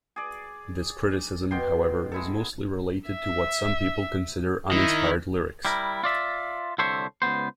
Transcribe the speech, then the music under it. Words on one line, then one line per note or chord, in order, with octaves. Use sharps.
This criticism, however, is mostly related to what some people consider "uninspired lyrics".
G#4 D5
B2 G5 C6
G#3 E4 A4
E5
D#3 E4
G3 E4 A#4
F4 D5 E5
C2 D3 A4 C5 C#5 E5
C#2 C#3 B3 C5